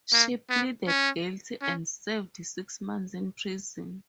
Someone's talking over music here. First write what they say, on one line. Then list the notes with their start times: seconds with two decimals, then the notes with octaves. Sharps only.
She pleaded guilty and served six months in prison.
0.13 A#3
0.50 B3
0.87 C#4
1.62 C#4